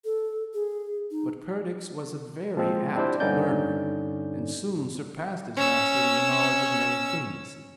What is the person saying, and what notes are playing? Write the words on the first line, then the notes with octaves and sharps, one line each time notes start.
But Perdix was a very apt learner, and soon surpassed his master in the knowledge of many things.
A4
G#4
D#4
F3 G#3 C4
C4 D4 E4 G4 C5
G2 D3 C#4 D#4 D5 G6
C#4 E6